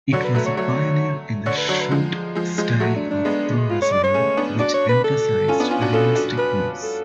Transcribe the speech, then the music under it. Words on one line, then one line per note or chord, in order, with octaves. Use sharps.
It was a pioneer in the shoot-style of pro-wrestling, which emphasized realistic moves.
D3 F#3 C#5
B4
F#3 A3 B4
C#5
F#3 A3 C#5
D3 C#5
B4
D3 F#3 C#5
B4
F3 G#3
F3 G#3
F3 G#3
F#3 A3 F#4
D4
D4
G#3 B3
F4
C#5
D5
C#5
A3 C#4
B3 D4
D4 F#4 D5
C#5
B4
A4
C#4 F4
B3 D4
C#4 F4
D4 F#4
C#4 F4 A4
D4 F#4
B4
A4